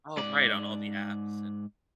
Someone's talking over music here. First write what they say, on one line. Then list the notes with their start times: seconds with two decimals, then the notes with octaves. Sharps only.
Oh, right, on all the apps and
0.18 G#2 D5